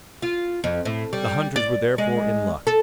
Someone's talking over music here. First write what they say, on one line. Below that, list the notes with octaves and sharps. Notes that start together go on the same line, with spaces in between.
The hunters were therefore in luck.
F4
F2
A2
G3
D5
G#3
A4